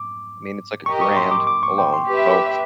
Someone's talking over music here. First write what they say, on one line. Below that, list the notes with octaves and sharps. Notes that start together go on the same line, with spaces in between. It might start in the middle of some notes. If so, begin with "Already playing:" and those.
I mean, it's like a grand alone. So
Already playing: D6
G4 A#4 D#5 C#6
C#6
C6
D6
D6
C#6
G5
C6
G4 B4 E5